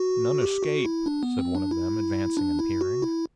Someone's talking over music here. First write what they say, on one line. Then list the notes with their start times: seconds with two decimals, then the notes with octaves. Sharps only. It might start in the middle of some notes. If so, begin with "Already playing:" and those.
"None escape," said one of them, advancing and peering.
Already playing: F#4
0.41 G4
0.63 F#4
0.85 E4
1.06 D4
1.23 B3
1.39 C4
1.55 D4
1.71 E4
2.37 D4
2.59 E4
2.81 F#4
3.02 E4